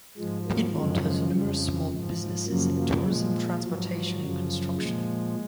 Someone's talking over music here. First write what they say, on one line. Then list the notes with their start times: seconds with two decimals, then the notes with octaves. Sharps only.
Piedmont has numerous small businesses in tourism, transportation, and construction.
0.17 G#2 F3 G#3
0.46 F#3 A#3
0.75 F#2 C#3 F3 G#3
1.04 G#3
1.33 F2 C#3 F3
1.91 G#2 F3
2.47 F#2 C#3 F3 F#3 A#3
2.76 F#3 A#3
3.06 A#2 F3 G#3
3.63 G#2 F3 F#3
4.21 F#2 C#3 F3
4.78 A#2 F3 G#3